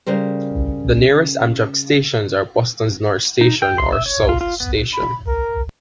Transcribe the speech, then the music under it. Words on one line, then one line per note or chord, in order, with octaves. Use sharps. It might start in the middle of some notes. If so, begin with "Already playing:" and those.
The nearest Amtrak stations are Boston's North Station or South Station.
C#3 G3 A#4 C5
D#4
G5
C6
E5
C#5
F4
F4
B3
B5
A#4